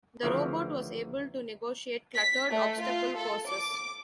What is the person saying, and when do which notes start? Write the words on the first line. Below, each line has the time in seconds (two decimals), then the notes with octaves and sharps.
The robot was able to negotiate cluttered obstacle courses.
0.23 D2 C#3 E3 F3 A#4
2.15 B6
2.49 A3
2.80 F4
3.16 A4
3.49 D6